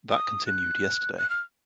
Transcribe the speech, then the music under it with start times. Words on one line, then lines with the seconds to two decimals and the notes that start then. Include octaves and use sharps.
That continued yesterday.
0.10 D#6
0.46 F#6
1.18 F#6
1.29 F6